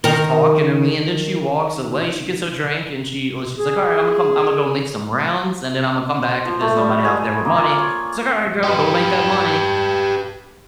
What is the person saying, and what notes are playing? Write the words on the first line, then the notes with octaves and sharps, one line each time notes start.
she's talking to me, and then she walks away. She gets her drink, and she well, she's like, "Alright, Imma come Imma go make some rounds, and then Imma come back if there's nobody out there with money." So, then I go, "Go make that money."
D#3 A#4
G#4
C5
F3
A3
G3
G#4
A#3
F4
C#5
G4 B4